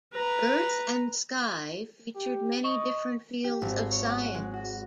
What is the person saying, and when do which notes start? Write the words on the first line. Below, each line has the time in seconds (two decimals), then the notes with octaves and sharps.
"Earth and Sky" featured many different fields of science.
0.12 B4 A#5
2.15 G4
2.64 D#5 C#6
3.44 G4
3.62 G#1
3.78 G#4
3.92 C#5
4.09 F#5
4.34 G#3
4.54 F#4